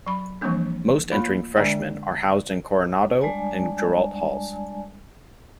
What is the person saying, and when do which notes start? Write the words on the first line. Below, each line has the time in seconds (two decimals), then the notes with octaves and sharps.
Most entering freshmen are housed in Coronado and Girault Halls.
0.07 F#3 B5
0.41 E3 F3 G3 A#3 C4 D4
1.12 A3 A#3 F4 C#5 B5
1.56 D3 G#3 D4 D5 G5 G#5
3.21 G3 G#3 D4 D5 G#5 A5